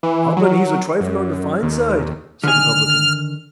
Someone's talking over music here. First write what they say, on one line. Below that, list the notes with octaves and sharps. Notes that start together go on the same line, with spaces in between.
"Happen he's a trifle on the fine side," said the publican.
E3
F#3
F#2
D#2
D3 D#3 G#5 F6